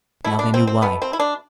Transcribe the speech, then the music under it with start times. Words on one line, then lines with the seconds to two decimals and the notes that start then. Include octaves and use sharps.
Now they knew why.
0.24 B2 A3 E4
0.39 D4
0.54 C4
0.67 C4
0.82 B2 A3 B3
1.02 C4
1.13 E4
1.20 D4